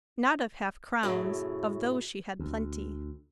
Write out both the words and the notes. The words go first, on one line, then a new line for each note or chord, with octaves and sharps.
Not of half-crowns; of those she had plenty.
F#2 A2 C#3
D2